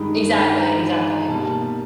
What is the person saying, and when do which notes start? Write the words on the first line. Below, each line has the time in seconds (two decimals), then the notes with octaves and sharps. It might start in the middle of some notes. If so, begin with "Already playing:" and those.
Exactly, exactly,
Already playing: G2 D#3 G#3 B5
0.58 A#5
1.28 B2 G3 A#3 A5